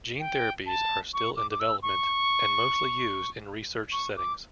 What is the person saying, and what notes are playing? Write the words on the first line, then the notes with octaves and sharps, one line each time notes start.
Gene therapies are still in development and mostly used in research settings.
G5
A5
C#6
D6
D6
E6
C#6
C#6
D6